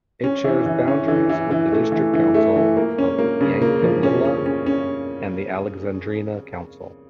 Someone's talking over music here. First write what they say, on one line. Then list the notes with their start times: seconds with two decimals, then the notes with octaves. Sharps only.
It shares boundaries with the District Council of Yankalilla and the Alexandrina Council.
0.24 C#4
0.44 E3
0.66 E3
0.88 C#4
1.08 E3
1.29 E3
1.51 E3
1.72 A3
1.92 E3
2.13 E3
2.34 A3
2.56 E3
2.77 A#3
2.98 C#4
3.19 A#3
3.41 C#3
3.62 A#3
3.82 F3
4.03 C#4
4.25 C#4
4.46 C#4
4.66 C#4